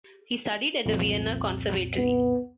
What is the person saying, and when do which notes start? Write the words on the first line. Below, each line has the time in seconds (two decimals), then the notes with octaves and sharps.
He studied at the Vienna Conservatory.
0.86 C2 F2 A#2
1.97 B3